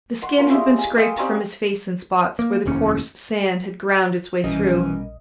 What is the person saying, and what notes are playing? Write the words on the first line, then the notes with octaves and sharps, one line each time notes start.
The skin had been scraped from his face in spots where the coarse sand had ground its way through.
F#5 C6 C#6
F4 A#4 B5
G3 G#3 E4
G#5
D#5 F5 G5
G3 C4 C#4 D#4
A#3
F1 D#2 A2 C#4
A#1 B2 E3 G3 C#4 A#4 D#5